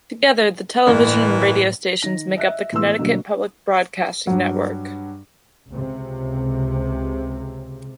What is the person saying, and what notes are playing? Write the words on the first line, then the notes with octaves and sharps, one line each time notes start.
Together, the television and radio stations make up the Connecticut Public Broadcasting Network.
G1 A2 E3 A#3
D#3 A#6
D#5 E5 F#6
A2 E3 A3 B3 C6 E6
B2 D3 F#3 G3 A3 A#3
G2 F#3
C#2 C3